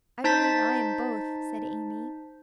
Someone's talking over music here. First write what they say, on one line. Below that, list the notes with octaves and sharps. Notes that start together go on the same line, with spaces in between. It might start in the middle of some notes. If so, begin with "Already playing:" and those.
'I believe I am both,' said Amy.
D#4 C5 A5 G6 A6 B6